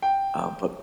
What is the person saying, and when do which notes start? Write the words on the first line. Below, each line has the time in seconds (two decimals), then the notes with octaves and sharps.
Uh, but
0.02 G5